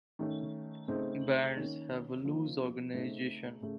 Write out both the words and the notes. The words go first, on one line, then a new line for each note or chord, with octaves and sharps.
Bands have a loose organization.
D#3 A3 C#4
C#3 A3 C4 D#4
D#3 A#3 C#4
F3 A#3 D#4
C#3 A3 C4 D#4
C#3 A3